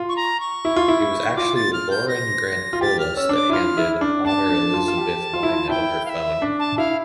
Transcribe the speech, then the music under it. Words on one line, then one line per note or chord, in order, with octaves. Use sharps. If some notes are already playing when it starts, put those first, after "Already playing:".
It was actually Lauren Grandcolas that handed Honor Elizabeth Waino her phone.
Already playing: F4
C#6
A#5
C#6
E4
F4
E4
F4 D6
A6
F6
G6
A#6
F4
G4 A6
F6
C#4 E6
D4
D6
E4
F4 F6
E4
D4
D4 A5
D4
F4
F4
G4
F4
E4
F4
E4 G5
F5
E5
D4
A5
E4 F5